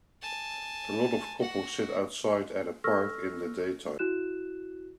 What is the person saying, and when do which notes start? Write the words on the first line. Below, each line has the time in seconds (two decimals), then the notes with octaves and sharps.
A lot of couples sit outside at a park in the daytime.
0.22 G#5 A5
1.39 F#4 F#5
2.84 A4 C#6 E6 F6 A#6
3.99 E4 F#4 F#6 E7